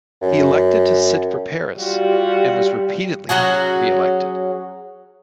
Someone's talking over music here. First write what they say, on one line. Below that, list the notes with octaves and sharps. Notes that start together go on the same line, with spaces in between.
He elected to sit for Paris, and was repeatedly re-elected.
F#2
G3 F4 F#4
F#3 C#4 F#4 G#4